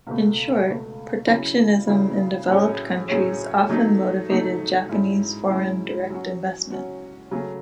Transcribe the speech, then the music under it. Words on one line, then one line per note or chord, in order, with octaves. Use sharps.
In short, protectionism in developed countries often motivated Japanese foreign direct investment.
C#2 B2 A3
C#2 B2 A3
C#3 F#3 C#4 E4
C#3 F#3 C#4 E4
A2 F#3 C#4 G#4 C#5
A2 F#3 C#4 G#4 C#5
F#3 A3 D#4
F#3 A3 D#4
G#2 F#3 C#4 E4
G#2 F#3 C#4 E4
F#3 C#4 F#4
F#3 C#4 F#4
C#3 F#3 A3 C#4